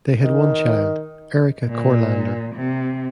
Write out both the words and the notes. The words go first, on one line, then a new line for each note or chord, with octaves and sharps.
They had one child, Erika Courlander.
D#3
A#2
C3